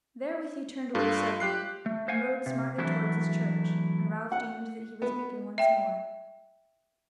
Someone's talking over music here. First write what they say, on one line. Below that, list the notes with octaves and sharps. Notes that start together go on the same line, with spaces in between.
Therewith he turned away suddenly, and rode smartly towards his church; and Ralph deemed that he was weeping once more.
G2 F4 A4
G4 F#6 C7
A3
C5 F5 F#5 G#5
C3
E3 F#3 A3 D4 E4
F#5
B3
E5 G5